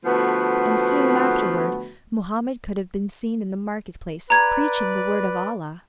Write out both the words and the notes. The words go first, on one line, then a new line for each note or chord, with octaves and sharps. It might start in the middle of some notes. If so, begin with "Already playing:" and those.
And soon afterward Mohammed could have been seen in the market place preaching the word of Allah.
D3 F3 A3 B3 F#4 B4
B4 D5 A#5 G#6